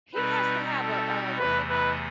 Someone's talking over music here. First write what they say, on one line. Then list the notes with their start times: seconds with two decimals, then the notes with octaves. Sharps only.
He has to have a a what do they call it?
0.14 B2 G3 C4 D#4 B4
0.76 A4
1.38 E2 C3 E3 A3 B4
1.70 B4